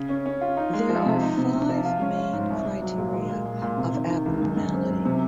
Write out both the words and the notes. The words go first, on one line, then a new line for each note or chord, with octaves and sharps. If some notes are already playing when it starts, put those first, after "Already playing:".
There are five main criteria of abnormality.
Already playing: C#3
C#4
C#4
F4
D#4
G#3
F3
C3
D#4
C3
C3
F3
F4
C#4
F4
G#2
C2
C2
F#3
A#2
G#3
A#2
G#3
A#2
C3
D#3
D#3
C#2
F#2
F#2
C4
F#2
C3